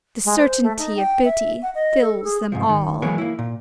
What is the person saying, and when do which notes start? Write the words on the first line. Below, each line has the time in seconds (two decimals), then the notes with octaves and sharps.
The certainty of booty fills them all.
0.25 G#3
0.38 C5
0.63 A3
0.78 D#4
0.97 G5
1.25 E5
1.62 F#5
1.75 D#5
2.01 A4
2.24 G#4
2.52 G#2 C3 F3
2.69 D#3
3.02 E3 F#3 G#3 A#3 G#4 C#5
3.18 A#3 E4
3.39 A#2